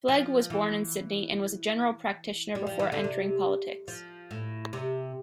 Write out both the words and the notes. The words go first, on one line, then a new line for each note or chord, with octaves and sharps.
Flegg was born in Sydney and was a general practitioner before entering politics.
F3
E3
G3
F3
E3
D3
C3
F3
A2
C3